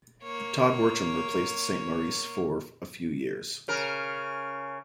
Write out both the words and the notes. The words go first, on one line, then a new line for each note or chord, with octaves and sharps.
Todd Wircham replaced Saint-Maurice for a few years.
A#3 C#5
C#3 A#4